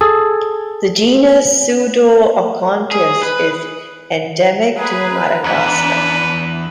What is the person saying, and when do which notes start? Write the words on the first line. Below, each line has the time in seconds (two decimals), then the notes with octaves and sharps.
The genus "Pseudoacontias" is endemic to Madagascar.
0.01 G#4 A4
2.91 G#4
3.23 B4
4.78 G#4 B4 A#5
5.44 E2 D4 B4